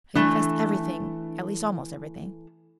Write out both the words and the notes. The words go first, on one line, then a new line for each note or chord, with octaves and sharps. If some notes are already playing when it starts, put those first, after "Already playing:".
I confessed everything--at least, almost everything.
E3 A3 D4 A4